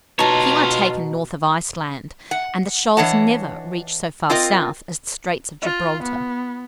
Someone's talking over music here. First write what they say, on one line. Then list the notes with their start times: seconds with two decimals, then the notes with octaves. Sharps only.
Few are taken north of Iceland, and the shoals never reach so far south as the Straits of Gibraltar.
0.19 B2 D#4 F4 C#5 A5
2.31 F#5
2.97 E3 D4 C#5 D#5 F#5 A5
4.30 C4 F4 A#4 D#5
5.62 F4
6.03 B3